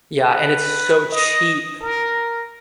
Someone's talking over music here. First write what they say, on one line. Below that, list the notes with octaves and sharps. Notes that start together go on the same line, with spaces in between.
Yeah, and it's so cheap.
B4
D#5
A#4